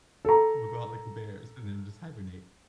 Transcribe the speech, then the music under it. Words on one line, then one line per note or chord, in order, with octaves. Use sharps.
We'll go out like the bears, and then we'll just hibernate.
A4 A#5